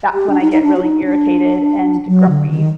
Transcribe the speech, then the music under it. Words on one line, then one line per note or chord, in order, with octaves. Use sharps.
that's when I get really irritated and grumpy.
G4
D4
D#4
D#4
D4
F#4
D#4
D4
F#3
D3
D#3